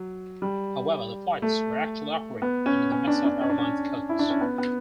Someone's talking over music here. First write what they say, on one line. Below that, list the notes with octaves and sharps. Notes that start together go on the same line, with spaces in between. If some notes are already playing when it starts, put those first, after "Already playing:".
However, the flights were actually operated under the Mesa Airlines codes.
Already playing: F#3
G3
A3
B3
C#4
C#4
D4
D4
C#4
D4
C#4
E4
D4
C#4
B3
B3